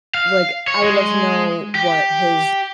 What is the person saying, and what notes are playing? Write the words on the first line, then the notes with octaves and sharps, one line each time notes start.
Like, I would love to know what his
F5
C#5
G#3
G4